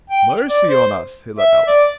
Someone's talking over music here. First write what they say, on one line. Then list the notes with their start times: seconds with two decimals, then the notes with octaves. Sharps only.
"Mercy on us!" he let out.
0.10 G5
0.50 D5
0.69 C5
1.39 E5
1.67 D5